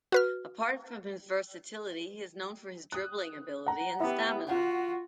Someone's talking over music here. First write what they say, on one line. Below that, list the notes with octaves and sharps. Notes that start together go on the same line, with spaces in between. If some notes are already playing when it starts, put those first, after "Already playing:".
Apart from his versatility, he is known for his dribbling ability and stamina.
F#4 B4 F6
D#6 F#6
F#5 A#5
B3 E4 G4
F4 F#4 F#5